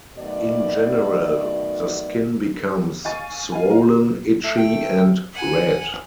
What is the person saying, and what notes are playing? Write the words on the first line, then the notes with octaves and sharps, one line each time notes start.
In general, the skin becomes swollen, itchy and red.
B2 D#3 F#3 A3 D5
F5 G#5 C#6 A6
F5 G#5
F#4 A#4 F5
A3
G5
F#5 G#5